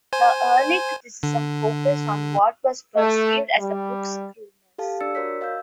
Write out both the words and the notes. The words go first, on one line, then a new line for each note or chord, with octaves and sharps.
The early criticism focused on what was perceived as the book's crudeness.
C5 G#5
D3
A3
G3
G4 A4 F5 A5
D4 D5 E6 A6 C#7
F#4 A#4 C#5 B6
D#5 F5 E6 G6